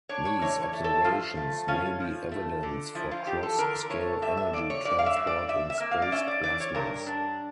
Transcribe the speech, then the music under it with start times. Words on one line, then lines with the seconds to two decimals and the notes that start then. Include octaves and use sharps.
These observations may be evidence for cross-scale energy transport in space plasmas.
0.09 D4 C#5
0.25 C#5
0.42 E3 C#5
0.63 C#5
0.73 A3
0.84 A4
1.04 F3 F4
1.37 A3
1.68 C#4 F4
2.00 F3
2.32 A3
2.63 D3
2.95 F3 E4
3.11 F4
3.27 E2 G4
3.43 A4
3.58 D3 A#4
3.90 A3 C#5
4.22 G3 E5
4.37 E5
4.53 F2 D5
4.70 C#5
4.85 G2 D5
4.99 F5
5.06 E5
5.17 G2
5.27 D5
5.48 F2 E5
5.70 E5
5.80 A#3
5.91 F5
6.02 D5
6.12 C#4 E5
6.28 D5
6.44 E3 D5
6.60 C#5
6.75 G2 A#4
7.06 D4